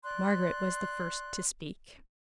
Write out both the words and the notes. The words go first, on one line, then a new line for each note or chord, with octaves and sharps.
Margaret was the first to speak.
D5 C6 F#6